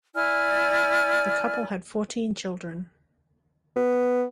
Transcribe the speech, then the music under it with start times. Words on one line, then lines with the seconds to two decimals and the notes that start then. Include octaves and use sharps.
The couple had fourteen children.
0.14 E4 D5 G#5 F6
3.76 B3